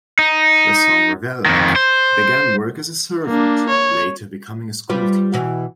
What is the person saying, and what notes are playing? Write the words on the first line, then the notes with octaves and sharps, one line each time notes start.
The son Ravaillac began work as a servant, later becoming a school teacher.
D#4
F2 D#3
C5
A#3 D4
C#5
G3 F4 B4
B2 E3